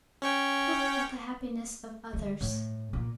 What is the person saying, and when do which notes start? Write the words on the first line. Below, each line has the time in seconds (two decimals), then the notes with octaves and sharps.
"Look at the happiness of others."
0.22 C#4 C#5 G5
2.13 D3
2.41 A2
2.93 A#2